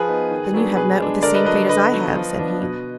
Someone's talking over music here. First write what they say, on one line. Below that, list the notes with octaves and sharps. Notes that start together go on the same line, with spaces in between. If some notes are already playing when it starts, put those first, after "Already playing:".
'Then you have met with the same fate as I have,' said he.
Already playing: F3 G#4 B4
B3 D#4
D#3
F#3 B3 D4
B2 G#4 B4
G#3 D4
D3 A#4 D5
B4 D#5
F#3 D4 B4 D#5
D3 B4 D#5
F#3 B3 D#4
F3
B3 D4
B2